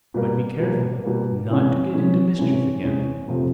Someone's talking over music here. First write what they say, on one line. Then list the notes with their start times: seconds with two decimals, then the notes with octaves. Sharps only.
"But be careful not to get into mischief again."
0.14 B2 G3 A#3
0.60 B2 G3 A#3
1.04 B2 G3 A#3
1.49 C3 E3 G#3 C#4
1.94 C3 E3 G#3 C#4
2.38 C3 E3 G#3 C#4
2.83 C3 E3 G#3 C#4
3.28 F2 C3 F3 A3